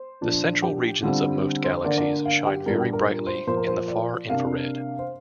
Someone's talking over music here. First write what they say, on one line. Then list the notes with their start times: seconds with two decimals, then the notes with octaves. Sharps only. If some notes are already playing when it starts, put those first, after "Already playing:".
The central regions of most galaxies shine very brightly in the far-infrared.
Already playing: C5
0.21 A#2 F3 D4
0.62 G4
1.03 D3 G3 C4 F4
1.64 C5
1.85 D3 A#3 D4 D5
1.98 D5
2.25 F5
2.46 G4
2.66 A#2 G3 D4 A#4
2.80 G4
2.93 A#4
3.06 A#4
3.27 C5
3.47 A#2 F3 A#3 C5
3.57 A#4
3.67 C5
3.88 D5
4.30 C3 A#3 D4 F5
4.99 C5